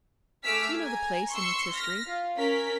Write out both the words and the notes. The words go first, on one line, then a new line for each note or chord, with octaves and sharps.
You know the place and its history.
A3 G#4 D6 E6 F6 B6
G#5 A#5
C6 C#6 E6 C#7
F6 A#6 B6
F4
C#4 A#4 B6